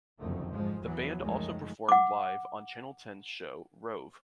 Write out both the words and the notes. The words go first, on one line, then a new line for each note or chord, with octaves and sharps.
The band also performed live on Channel Ten's show "Rove".
F#1 C2 F2 D3 D#3 A3
G#2 F3 G#3
E2 E3 F#3 B3
C#2 F#2 D#3 F3 G#3 A3
F#5 D6